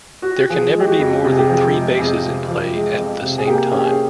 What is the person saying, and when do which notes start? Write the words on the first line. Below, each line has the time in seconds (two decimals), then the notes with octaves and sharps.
There can never be more than three "Bases" in play at the same time.
0.22 F#4
0.36 G4
0.50 F3 G#4
0.75 G#3
0.81 G4
0.88 F#4
0.99 F2
1.24 C3 G4
1.32 G#4
1.39 G4
1.49 F3 G#4
1.74 G#3
1.98 F2 G#4
2.24 C3
2.48 F3
2.73 G#3
2.98 F2
3.22 C3
3.38 G#4
3.48 A#3 G4
3.66 G#4
3.72 C#4
3.79 G4
3.85 G#4